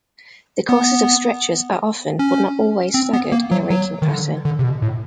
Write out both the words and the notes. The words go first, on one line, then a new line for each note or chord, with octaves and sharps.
The courses of stretchers are often but not always staggered in a raking pattern.
B3
C#4
C4
B3
A#3
F#3
F#3
D#3
D3
D3
C3
B2
A2